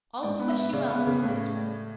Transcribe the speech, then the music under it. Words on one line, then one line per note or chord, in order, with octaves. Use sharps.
All who wish you well hope this for you.
G#2 D5
B3
E5
B3
C#3 D5
B3
C#3
A2